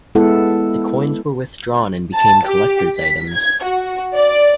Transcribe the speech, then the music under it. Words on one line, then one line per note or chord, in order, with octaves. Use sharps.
The coins were withdrawn and became collectors' items.
G#3 B3 E4 A4 F#5
A5
G4
B6
G#6
F#4
D5